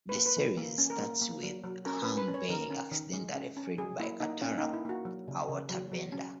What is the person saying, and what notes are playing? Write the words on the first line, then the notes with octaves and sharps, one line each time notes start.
The series starts with Aang being accidentally freed by Katara, a waterbender.
B4
A#3
B4
E3
A#3
C#4
A#4
A#3
A#3
F#3
F#3
C#4 A#4
C#4 B4
B4
C#4
C#5
D#3 A#4
C#4
D#3
G#3
C#4
C#4
F#3 G#4
A#3 E4
A#3 D#4
A#3 C#4
D#4
A#3
E4
A#3 F#4
F#3
C#3
C#3
F#3
F#3
C#4